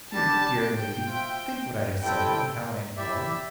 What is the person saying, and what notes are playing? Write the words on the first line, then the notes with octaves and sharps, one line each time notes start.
Dear, dear lady, think what I have suffered, and how I am fallen!
G3 D4 G4 A5
G5
F4 C5 E5
G3 C4 E4 A4 G5
E4 G4 D5 E5